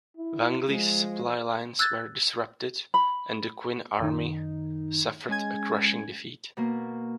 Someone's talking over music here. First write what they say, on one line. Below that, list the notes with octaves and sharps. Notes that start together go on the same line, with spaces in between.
Wang Li's supply lines were disrupted and the Qin army suffered a crushing defeat.
E4
F3 G#3
E6 F#6 G#6 A6
B5
F#2 D#3 D#4
G#3 C#4 G#5 G#6
B2 A#3